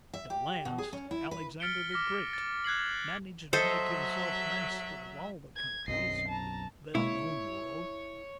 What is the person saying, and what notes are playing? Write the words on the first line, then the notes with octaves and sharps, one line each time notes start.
At last Alexander the Great managed to make himself master of all the countries of the then-known world.
E5
G4
B2
G#4
C#4
E4
B4
F6 A6 B6 C#7 D7 G7
D6 F6 A#6 B6
A6
F#6 G#6 C7 F#7
F#3 A4 C5 D#5 E5
G#6
B1 F#2 C4 D#5 C7
A5 A#5
B2 G#3 A#3 E4 C#5